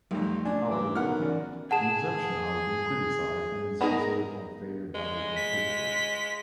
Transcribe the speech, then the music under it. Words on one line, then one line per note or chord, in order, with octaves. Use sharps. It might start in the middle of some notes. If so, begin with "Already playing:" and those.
However, the exemption has been criticised and is considered unfair by their competitors.
B1 F2 G3 A3
F#1 D4 G#5
E3 D6
B1 A#4 F#5 F6
E3 C#4 D5
G#4 F#5 A5 E7
B3 D4 D#4 G#4 A#4
G#3
B6